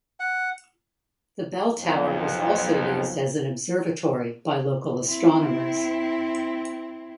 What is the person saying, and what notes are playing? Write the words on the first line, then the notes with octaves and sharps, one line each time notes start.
The bell tower was also used as an observatory by local astronomers.
F#5
B1 F2
C4 E4